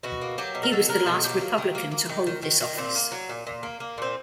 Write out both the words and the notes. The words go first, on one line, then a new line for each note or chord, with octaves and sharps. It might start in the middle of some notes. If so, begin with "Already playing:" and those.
He was the last Republican to hold this office.
B2 F#4
A#3
F#3 G4
B2
A#4
F#3 A4
F#3 A#4
B2 A4
F#3 G4
A#3
D#3
A#3
A#3
D#3
D#3
D#3
D#3
A#2 C4
A#3
F#3
A#2
A#2
A#3
A#3
A#2 C4